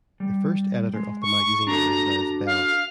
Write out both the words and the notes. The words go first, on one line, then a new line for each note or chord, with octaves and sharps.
The first editor of the magazine was Les Bell.
G3
G#3
C#6
D4 F#4 A4 A#5
F5